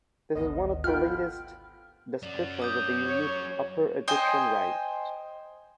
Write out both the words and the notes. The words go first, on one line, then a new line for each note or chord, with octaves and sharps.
This is one of the latest descriptions of the unique Upper Egyptian rite.
G#1 D2 B3 D#5
F4 A4 F#5 G5 B5 F6
F#3 C#4 D5
D6 D#6 G6
C#5
C5 D#5 G5 G#5